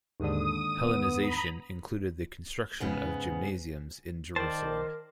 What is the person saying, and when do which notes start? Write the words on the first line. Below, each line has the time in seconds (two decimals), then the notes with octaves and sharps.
Hellenization included the construction of gymnasiums in Jerusalem.
0.20 D#2 G#2 D3 D#6
0.79 B3
1.19 A#5 B5
2.80 G#2 C#3 B3 G#4
4.36 D#3 A#4 C5 D5 G5 A5